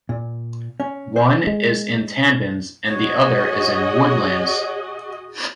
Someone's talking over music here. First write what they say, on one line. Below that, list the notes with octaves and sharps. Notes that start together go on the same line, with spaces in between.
One is in Tampines and the other is in Woodlands.
A#2
C#4
C5
G#3
F#4 G#4 C#5 D#5